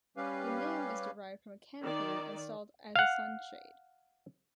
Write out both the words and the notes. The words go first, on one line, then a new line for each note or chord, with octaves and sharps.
The name is derived from a canopy installed as a sun shade.
G3 C#4 G4 B4 F5
D#3 D5
F5 F#5